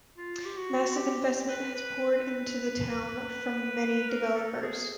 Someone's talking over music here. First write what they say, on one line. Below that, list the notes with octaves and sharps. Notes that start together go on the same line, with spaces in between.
Massive investment has poured into the town from many developers.
F4
G4
F#4
G4
B4
B4
B4
A#4
A4
G#4